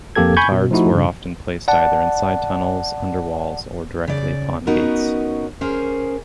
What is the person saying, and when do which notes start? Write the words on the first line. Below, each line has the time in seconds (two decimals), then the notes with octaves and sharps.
Petards were often placed either inside tunnels under walls, or directly upon gates.
0.16 F2 A#3 G4 A4 G#6
0.37 G#5 B5 C#6 G6 G#6
0.52 B2
0.71 F3 A3 D#4 E4 F#4
0.91 G2 C#3
1.68 D5 F#5 A5
4.07 C#3 D5
4.67 B3 C#4 D#4 F#4 A#4
5.61 C#4 G#4 A#4 C5